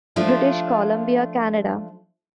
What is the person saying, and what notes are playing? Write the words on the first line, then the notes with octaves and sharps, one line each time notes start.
British Columbia, Canada.
F3 A3 D4 F4